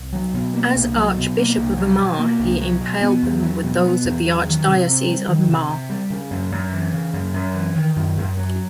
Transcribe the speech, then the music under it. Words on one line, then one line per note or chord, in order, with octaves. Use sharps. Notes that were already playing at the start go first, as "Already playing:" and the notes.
As Archbishop of Armagh he impaled them with those of the Archdiocese of Armagh.
Already playing: C2
F#3
B2
A#3
C2
F#3
B2
A#3
C2
F#3
B2
A#3
C2
F#3
B2
B3
E2
F#3
B2
B3
E2
F#3
D#3
C3
C3
G3
D#3
C3
C3
G3
C#3
F#2
F#2
E3
C#3
F#2
F#2
E3
D#3
F#2
F#2
F#3